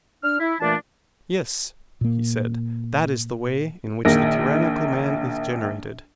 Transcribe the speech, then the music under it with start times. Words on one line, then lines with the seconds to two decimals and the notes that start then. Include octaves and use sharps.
Yes, he said, that is the way in which the tyrannical man is generated.
0.23 D4 F6
0.39 E4
0.60 A#2 E3 A3 D4 D5 A5
2.01 A#2 A#3
4.05 A#1 D#3 A#3 A#6